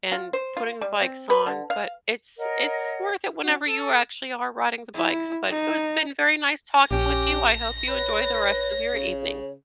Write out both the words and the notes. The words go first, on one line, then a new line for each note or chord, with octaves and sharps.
and putting the bikes on, but it's it's worth it whenever you actually are riding the bikes, but it has been very nice talking with you, I hope you enjoy the rest of your evening.
F4
C5
F4
G3
C4
B4
D3
F5
A#4 C#5 D#5 F#5
C#4 F#4
A4
E4
D#4
A#1 C#4 G4 A#6
B4 C#5
C#3